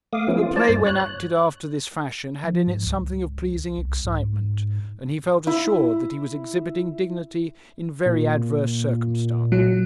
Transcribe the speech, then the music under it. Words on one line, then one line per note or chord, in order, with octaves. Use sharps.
But the play when acted after this fashion had in it something of pleasing excitement, and he felt assured that he was exhibiting dignity in very adverse circumstances.
A3 F5 D6 D#6
F3 A3 B3 C#4 E4
F4
C5 D5 A5
G2
C#5 F#6
F3
G#2
C#2
C2
G#2
E4
A#2
F#3